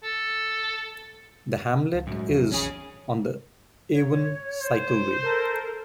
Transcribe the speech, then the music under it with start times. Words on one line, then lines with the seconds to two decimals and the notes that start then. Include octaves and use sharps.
The hamlet is on the Avon Cycleway.
0.03 A4
1.94 C#2
2.07 F#2 A2 F3 G#3
2.29 E2 F3
2.52 A#1 D#3 C#4 G#4
3.93 C#5
4.63 C5
5.22 A4 A#4